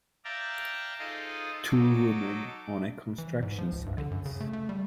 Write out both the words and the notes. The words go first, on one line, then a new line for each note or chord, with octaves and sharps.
Two women on a construction site.
D5 E5 F5 G5 A5 A#5
D#4 F4 G#4 A4 C5 D#5
F#3 D#4 A4 D6
E3
G#2
F3
C#2
G2
D3
F#2
C#3
A3
A3
G3